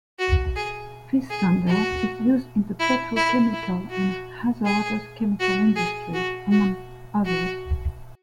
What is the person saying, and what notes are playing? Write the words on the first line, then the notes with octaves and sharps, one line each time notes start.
This standard is used in the petrochemical and hazardous chemical industries, among others.
F#4
G#4
G#4
F#4
E4
E4
E4
F#4
G#4
F#4
G#4
F#4
F#4
F#4